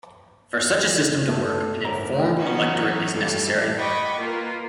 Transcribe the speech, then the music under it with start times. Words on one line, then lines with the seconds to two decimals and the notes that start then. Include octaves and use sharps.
For such a system to work an informed electorate is necessary.
0.87 G#6
1.28 A3 A4
1.85 D2 A2 A#4 A#5
2.37 E3 F#3 B3 C#4 D#4 F#4
3.11 G3 A3 G4 A4
3.77 D#5 F#5 G5 B5 C#6 D6
4.19 A#3 F4 A#4 B4